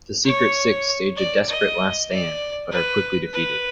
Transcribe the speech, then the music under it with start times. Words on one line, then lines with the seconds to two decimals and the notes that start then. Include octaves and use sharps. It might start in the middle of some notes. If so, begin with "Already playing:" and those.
The Secret Six stage a desperate last stand, but are quickly defeated.
0.25 C#5
1.17 D5
1.49 D#5
2.10 D5
2.71 B4
3.33 B4